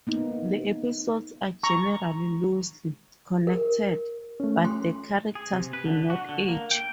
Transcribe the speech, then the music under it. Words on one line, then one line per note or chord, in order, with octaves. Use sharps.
The episodes are generally loosely connected, but the characters do not age.
A#3 B3 D#4
A#5 C#6
A#4
A3 C#4
C6
G#4
C3
B4
D3
F#4
D3
A#3
G5